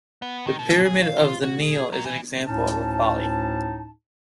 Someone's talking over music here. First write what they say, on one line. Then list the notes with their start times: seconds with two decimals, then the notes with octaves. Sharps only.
The Pyramid of The Neale is an example of a folly.
0.22 B3
0.47 D#3
0.59 B2
0.85 G#4
1.02 F5
1.17 F4
1.43 F#4
1.62 G#4
1.93 F#3
2.05 E3
2.46 D2 A2 C#4 D#4 A5